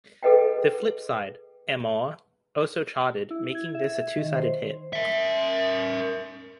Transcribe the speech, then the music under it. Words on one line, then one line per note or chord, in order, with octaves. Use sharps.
The flip side, "Amor," also charted, making this a two-sided hit.
G#4 A4 B4 D#5 F#5 G5
E4
G#6
E5
D#3
C5
A#4 E5